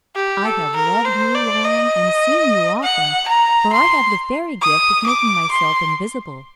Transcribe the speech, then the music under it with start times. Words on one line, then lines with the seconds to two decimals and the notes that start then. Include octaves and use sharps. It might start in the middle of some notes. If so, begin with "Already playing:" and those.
I have loved you long, and seen you often, for I have the fairy gift of making myself invisible.
0.16 G4
0.45 A4
0.76 A#4
1.05 C5
1.35 D5
1.64 D#5
2.83 F#5
3.28 A#5
3.73 C6
4.62 D#6
5.06 D6
5.51 C6